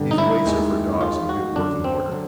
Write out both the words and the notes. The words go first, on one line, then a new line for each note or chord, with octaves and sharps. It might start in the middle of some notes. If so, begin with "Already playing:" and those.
These weights are for dogs in good working order.
Already playing: G2 D3 G3
D#4
E4
D#2 D#3 G#3
D#2 D#3 G#3 F4
F#4
F#2 D3 F#3 D4
C4
D3 F#3